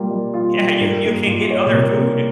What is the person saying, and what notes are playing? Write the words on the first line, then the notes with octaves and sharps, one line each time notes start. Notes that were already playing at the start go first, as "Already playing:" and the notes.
Yeah, you you can get other food.
Already playing: G3 A#3 F4
G3
F4
G3
G#2 A#4
G2 A#3
G#2 F4
C#5
A#2
C3 A#4
C3 A#3